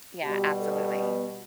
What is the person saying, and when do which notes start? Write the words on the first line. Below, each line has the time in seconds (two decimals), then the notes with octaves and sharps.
Yeah, absolutely.
0.23 B2 G3 G4
0.61 A4
0.99 B3